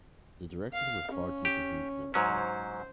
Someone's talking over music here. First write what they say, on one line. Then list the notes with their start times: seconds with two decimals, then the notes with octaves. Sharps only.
The directions were far too confusing to understand.
0.73 F5
1.11 C#4
1.45 G4
2.14 G#2 F#3 C#4 C5